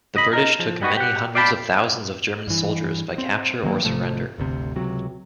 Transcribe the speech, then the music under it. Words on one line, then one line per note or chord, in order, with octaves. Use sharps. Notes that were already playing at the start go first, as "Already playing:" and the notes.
The British took many hundreds of thousands of German soldiers by capture or surrender.
C#2 D#5 B5
D#4 A#4
F3
G3 B3 D#4 F#4 B4
G4 F#5
D5 F5 G5 A5 B5
G2 E3
C4
D#3 F#3 A#3
G#1 C3 F3 A3
G1 D2 C3
C#2 C3 F#3